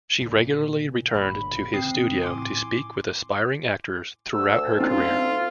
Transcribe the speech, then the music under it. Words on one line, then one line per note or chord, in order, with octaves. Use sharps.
She regularly returned to his studio to speak with aspiring actors throughout her career.
A#2 C#3
G1 A#2 B5
C#3 E3 C4 D#6 C7
A1 E4 G#5 C6 D6
D2 E6
C4 C#4 D#4 F4